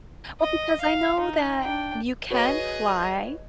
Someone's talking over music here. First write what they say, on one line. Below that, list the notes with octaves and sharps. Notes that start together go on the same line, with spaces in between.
Well, because I know that you can fly,
D#5
F5
D#4
D4 G5
F#4 G#4 B4 C#5 D#5